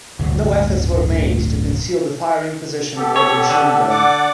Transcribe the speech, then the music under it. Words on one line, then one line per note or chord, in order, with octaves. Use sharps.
No efforts were made to conceal the firing position or the machine gun.
D1 G1 D2 C3
B3 G4 A4
C#5
D3
D5 F#5 D6